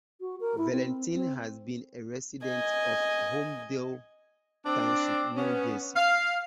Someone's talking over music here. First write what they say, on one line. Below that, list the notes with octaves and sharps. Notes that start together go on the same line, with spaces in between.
Valentin has been a resident of Holmdel Township, New Jersey.
F#4
A#4
E4
C4
C4
D#5 G#5
C4 D4
B3 C#4
F5